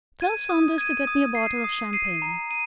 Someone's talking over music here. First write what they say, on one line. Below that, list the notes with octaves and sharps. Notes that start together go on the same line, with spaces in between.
Tell Saunders to get me a bottle of champagne.
G#6 D#7
D#6
G#6 D#7
D#6
C7 D#7
D#6
C7 D#7
A#5
D#7